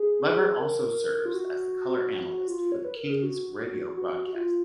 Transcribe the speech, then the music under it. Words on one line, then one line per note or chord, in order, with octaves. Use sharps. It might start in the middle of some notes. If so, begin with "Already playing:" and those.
Lever also serves as the color analyst for the Kings radio broadcasts.
Already playing: G#4
A#4
F4
F#4
F4
C#5
B4
A#4
G#4
F#4
F#4
F#4
F4